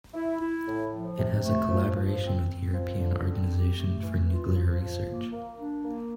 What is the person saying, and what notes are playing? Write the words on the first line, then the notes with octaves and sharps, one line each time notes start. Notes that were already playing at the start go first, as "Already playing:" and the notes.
It has a collaboration with European Organization for Nuclear Research.
E4
E4
A2
F3
C3
A3
F3
F3
C4
C4
F3
D3
C4
G4
A3
E3
F4
F3
F3
A#3
A#3
D4
A#3